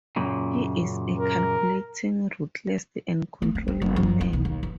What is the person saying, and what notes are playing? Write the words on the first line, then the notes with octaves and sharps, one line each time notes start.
He is a calculating, ruthless, and controlling man.
F#2 A#2 C#3
A#4
A3
C4
C4
F#1
F#2
E3
B1
D#2
E3